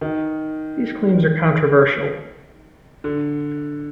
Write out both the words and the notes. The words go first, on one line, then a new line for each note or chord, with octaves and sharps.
These claims are controversial.
D#3
D3